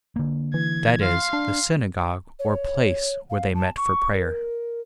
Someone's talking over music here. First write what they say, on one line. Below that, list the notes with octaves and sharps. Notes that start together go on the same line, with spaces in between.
That is, the synagogue or place where they met for prayer.
D3 A#3
E3 G#6
F5 C6
D4
C#5
F5
A5
C#6
A#4